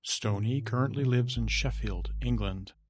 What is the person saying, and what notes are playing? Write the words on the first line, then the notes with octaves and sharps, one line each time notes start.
Stoney currently lives in Sheffield, England.
A2
B2
G#1